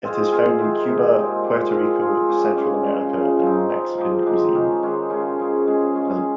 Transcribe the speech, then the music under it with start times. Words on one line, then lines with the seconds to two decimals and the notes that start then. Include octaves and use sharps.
It is found in Cuba, Puerto Rico, Central America and Mexican cuisine.
0.04 G#3 C4 F4 G#4
0.32 G#3 C4 F4 G#4
0.60 C3 D#3 G#3
0.88 C3 D#3 G#3
1.17 A#2 G#3 C4 G4
1.45 A#2 G#3 C4 G4
1.73 F3 C4 F4 G#4
2.01 F3 C4 F4 G#4
2.29 C#3 G#3 C#4 G4
2.57 C#3 G#3 C#4 G4
2.85 C#3 F3 G#3
3.13 C#3 F3 G#3
3.41 F3 C4 D#4
3.70 F3 C4 D#4
3.98 F3 G#3 D#4 G4
4.26 F3 G#3 D#4 G4
4.54 D#3 G#3 C#4 G4
4.83 D#3 G#3 C#4 G4
5.10 C#3 F3 G#3 C#4
5.38 C#3 F3 G#3 C#4
5.67 G#3 C#4 G#4
5.95 G#3 C#4 G#4